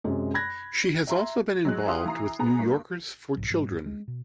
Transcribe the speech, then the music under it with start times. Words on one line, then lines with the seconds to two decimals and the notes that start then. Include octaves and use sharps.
She has also been involved with New Yorkers For Children.
0.04 F#2 C3 G#3
0.34 B5 F#6 G#6 A#6
1.07 E5 A#5 C6
1.65 F#3 G#3 F#6
1.86 E4 G4 F5 C6 D#6
2.06 E3 A#5 C7
2.39 B3 G#4 A#5
2.59 G2 A#3
3.36 B1 F2 G#2 F#3
3.50 G#2 F#3 G3
3.86 G#3
4.08 B2